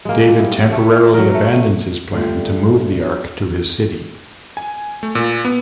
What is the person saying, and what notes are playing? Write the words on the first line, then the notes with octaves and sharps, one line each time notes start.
David temporarily abandons his plan to move the ark to his city.
G#3 A#3
G3 E4
A3
F#3 A#4
A3
G2 D3 G3 A3 F4
F#3 D4
G#5
A3
A#2
B3